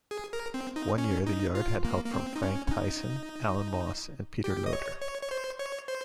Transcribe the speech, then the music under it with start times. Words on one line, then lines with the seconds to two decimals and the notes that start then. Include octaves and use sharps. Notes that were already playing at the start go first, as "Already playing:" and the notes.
One year the yard had help from Frank Tyson, Alan Moss, and Peter Loader.
0.11 G#4
0.33 A#4
0.54 C4
0.76 D#4
0.98 C#4
1.27 D#4
1.55 F4
1.84 A#3
2.05 A#3
2.14 C4
2.36 D#4
2.42 C#4
2.67 C#4
2.71 D#4
4.44 G4
4.66 D#5
4.73 C#5
5.02 C#5
5.22 C#5
5.31 C5
5.59 C#5
5.88 C5